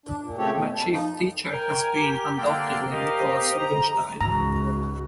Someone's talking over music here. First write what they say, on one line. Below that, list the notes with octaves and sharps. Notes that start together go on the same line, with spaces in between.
My chief teacher has been, undoubtedly, Nicholas Rubinstein.
D4
A#2
C#3 A3 C4 G4 A4 C#5
B2
A4
F3 D#4
A#4 G5 G#5
G4
D3 A#3 D5 F5 G5
G4 A#4 D#5 F5
A#5
C#2 G#2 F#4 A#5